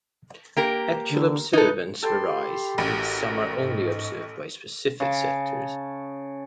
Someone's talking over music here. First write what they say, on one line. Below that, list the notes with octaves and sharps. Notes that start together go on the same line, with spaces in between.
Actual observance varies, and some are only observed by specific sectors.
A#3 G4 A#4
D3
D#4 A4 B4
G4 A4 G5 A5 B5 C6
A1 E4 F#4 A#4
G#2 D#5 C#6
C#3 A5